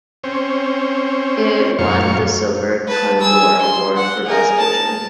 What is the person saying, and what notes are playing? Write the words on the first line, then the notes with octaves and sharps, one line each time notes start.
It won the Silver Condor Award for Best Picture.
C4 C#4
F#2 A#2 F5 C#6
B4 A5
G#4 E6
C6
F#5
G#4 A#4
A5